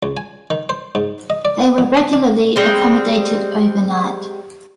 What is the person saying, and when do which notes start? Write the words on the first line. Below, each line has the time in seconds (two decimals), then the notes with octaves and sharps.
They were regularly accommodated overnight.
0.03 C#2
0.17 G#5
0.50 D#3
0.69 C5
0.95 G#2
1.30 D#5
1.45 D5
1.78 F2
1.97 D#6
2.13 D4
2.56 G3 G#3 C4